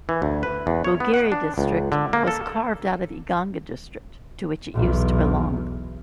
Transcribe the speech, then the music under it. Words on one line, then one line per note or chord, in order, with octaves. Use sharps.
Bugiri District was carved out of Iganga District, to which it used to belong.
E3
D2
B4
E2
C#5
B3
F#5
D4
C#2
D3
A#3
A4
B1 E2